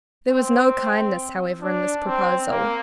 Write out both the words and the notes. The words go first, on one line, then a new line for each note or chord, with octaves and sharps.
There was no kindness, however, in this proposal.
C4
D4
C4
A#3